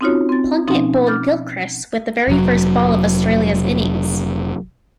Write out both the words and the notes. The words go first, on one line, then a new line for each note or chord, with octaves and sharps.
Plunkett bowled Gilchrist with the very first ball of Australia's innings.
C4 C#4 D#4 F4 F#4 C#5
C4 A6
B2 F3 C4 C#4 D#4
D6 F6 G6 A6
F1 F#3